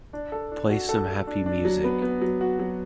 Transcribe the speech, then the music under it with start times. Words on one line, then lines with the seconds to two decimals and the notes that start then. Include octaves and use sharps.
Play some happy music.
0.13 D4
0.32 A4
0.52 D4
0.70 F#4
0.89 A4
1.08 A4
1.27 D4
1.46 D4
1.65 F#3
1.84 B3
2.02 B3
2.21 F#3
2.41 F#4
2.59 F#3